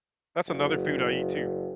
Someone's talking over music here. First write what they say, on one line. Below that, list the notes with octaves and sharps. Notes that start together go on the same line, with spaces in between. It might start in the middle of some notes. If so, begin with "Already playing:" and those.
That's another food I eat too.
F#1